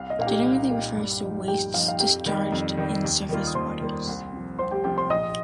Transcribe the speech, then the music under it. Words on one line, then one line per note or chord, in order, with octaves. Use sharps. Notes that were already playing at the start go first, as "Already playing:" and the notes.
Generally refers to wastes discharged into surface waters.
Already playing: C2 F5
D#5
A#2 A#3 D#4 F5
G4 G5
C2
A#2 A#3 D#4
G2
F3 D#4
G2 G4 G5
F3 D#4 F5
F5
F2 G4 G5
D#3 G3 D#4
F2
D#3 G3 D#4
D#2
D#3 G3 A#3 F4
D#6
D#2 C5 C6
D#3 G3 A#3 F4
C2
C3 F3
C2 C5 C6
G4 G5
C3 F3 G4 G5
C5 C6
A#1 D#5 D#6